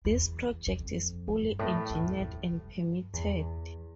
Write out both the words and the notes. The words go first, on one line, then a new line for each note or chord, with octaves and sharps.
This project is fully engineered and permitted.
E2
F2
G2
A2
F2
F2
G2
E2